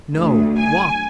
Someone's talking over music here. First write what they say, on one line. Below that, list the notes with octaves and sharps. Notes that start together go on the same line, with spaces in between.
No. Walk.
D2
G#5